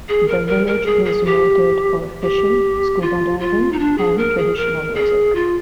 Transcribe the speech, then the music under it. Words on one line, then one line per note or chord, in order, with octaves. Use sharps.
The village is noted for fishing, scuba diving, and traditional music.
G#4
A#4
A#4
A#4
G#4
G#4
G4
G4
F4
F4
D#4
D4
G#4
A#4
G#4
A#4
G#4
F4